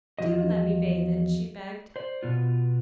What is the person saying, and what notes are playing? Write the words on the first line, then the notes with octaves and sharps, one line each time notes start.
"Do let me bathe it," she begged.
E2 F3 F#4 D#5
C5 D5
B2 B3 F4